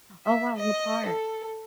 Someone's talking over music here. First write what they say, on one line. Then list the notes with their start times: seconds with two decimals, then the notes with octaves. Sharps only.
Oh wow, what part?
0.24 E5
0.56 D#5
1.05 A4